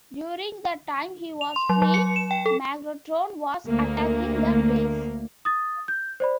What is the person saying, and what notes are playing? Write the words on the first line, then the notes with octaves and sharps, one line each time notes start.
During the time he was free, Megatron was attacking the base.
F7
C6
F#3
F#3
C#7
E7
G5
A4
D2 A#3
D#6 A6
G6
C5 D5 B5